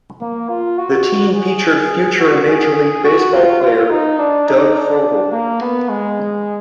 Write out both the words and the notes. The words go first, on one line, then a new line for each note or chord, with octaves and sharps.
The team featured future Major League Baseball player Doug Frobel.
A#3
F4
F#4
G#4
F#4
G#4
F#4
F4
F4
D#4
D4
D#4
D4
A#3
B3
G#3